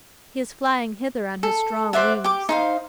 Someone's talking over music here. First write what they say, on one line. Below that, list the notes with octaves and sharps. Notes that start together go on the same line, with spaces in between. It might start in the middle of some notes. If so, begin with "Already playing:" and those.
"He is flying hither on his strong wings."
A4
C5 D5 E5 F#5
G4 D6
D#4 C5 F5